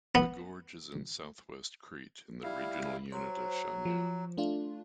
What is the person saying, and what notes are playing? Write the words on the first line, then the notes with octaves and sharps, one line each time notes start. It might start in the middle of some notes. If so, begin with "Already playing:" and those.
The gorge is in southwest Crete in the regional unit of Chania.
B3
G3 E4 F5
F#3 C5
F3
A3 D4 F4